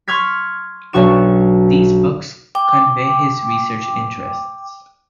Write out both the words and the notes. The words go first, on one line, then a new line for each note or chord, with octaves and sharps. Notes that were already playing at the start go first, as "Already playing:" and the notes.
These books convey his research interests.
C6 C#6 F6 G#6 B6
B1 D4 F#4 C#6 E7
G5 D6